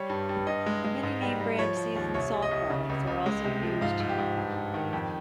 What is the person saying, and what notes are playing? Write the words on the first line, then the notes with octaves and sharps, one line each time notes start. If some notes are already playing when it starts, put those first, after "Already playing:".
Many name brand seasoned salt products are also used.
Already playing: G3 C#5
G2
G2
G2 D#5
G#3
G#3
G#2
G3
G3
F3 C#5
F3
D#2
C2 C#5
C2
D#5
C2
C#3
C#2
C#2
G#3
C3
F3
G#2 F5
G#2
G4
G#2
G2
G2
D#3
F2